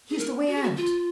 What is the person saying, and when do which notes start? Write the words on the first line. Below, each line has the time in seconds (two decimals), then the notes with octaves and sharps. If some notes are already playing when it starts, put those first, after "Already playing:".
"Here's the way out!"
0.10 G#4
0.18 A#4
0.47 F#4
0.55 G#4
0.62 F#4
0.76 F4